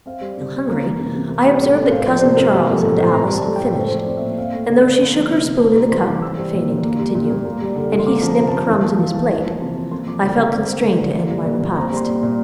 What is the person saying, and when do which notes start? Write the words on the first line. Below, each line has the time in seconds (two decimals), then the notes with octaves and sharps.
Still hungry, I observed that Cousin Charles and Alice had finished; and though she shook her spoon in the cup, feigning to continue, and he snipped crumbs in his plate, I felt constrained to end my repast.
0.06 C4 F5
0.21 G3
0.38 C3
0.53 C3
0.69 A#3
0.83 E3
0.99 C3
1.15 C3
1.30 A#3
1.45 G3
1.60 A2
1.75 A2
1.91 C4 F5
2.06 F3 D5
2.21 C3 C5
2.37 C3 A#4
2.52 A#3 G4
2.68 F3 A4
2.83 A2 A#4
2.98 A2 C5
3.07 C6
3.14 C4 A#5
3.30 G3
3.35 A5
3.45 A2
3.56 G5
3.60 A2
3.76 A3 C5
3.86 C5
3.91 F3
3.97 D5
4.07 C4
4.17 E5
4.21 A#2
4.38 C4 F5
4.52 A3
4.69 D3
4.83 D3
5.00 A#3
5.14 F3
5.29 C3
5.45 C3
5.60 A#3 A5
5.75 G3 A#5
5.92 E3 C6
6.07 E3 D6
6.22 C4 E6
6.37 G3
6.53 A#2
6.68 A#2
6.83 A#3
6.99 G3
7.15 A#2
7.30 A#2
7.45 A#3
7.61 G3
7.76 D3
7.92 D3
7.99 C6
8.07 A#3 D6
8.22 F3
8.28 A#5
8.38 C3
8.48 A5
8.53 C3
8.69 E3
8.84 A#3 A5
8.99 A#3 F5
9.14 E3 A5
9.31 A#3
9.45 F3
9.61 C3
9.76 C3
9.91 A#3 C6
10.07 F3 D6
10.22 D3 C6
10.37 D3 A#5
10.53 C4
10.68 A3
10.83 D3
10.99 D3
11.15 A#3
11.31 G3
11.46 A#2
11.61 A#2
11.77 C4 A#5
11.92 G3 C6
12.08 A#2
12.23 A#2